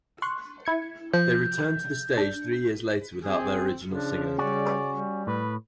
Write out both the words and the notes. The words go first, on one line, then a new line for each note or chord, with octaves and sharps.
They returned to the stage three years later without their original singer.
C6 C#6 F#6
E4 G#6 C#7
F3 G6
D4
C4 G#4
C#3 F3 D4
G3 C#4 F#4 D5
G3
A2 B4